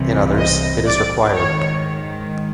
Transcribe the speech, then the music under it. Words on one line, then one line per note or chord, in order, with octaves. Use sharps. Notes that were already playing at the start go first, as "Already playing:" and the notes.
In others it is required.
Already playing: C2 C3 E3
D#5
D5
G#2 D#3 C#5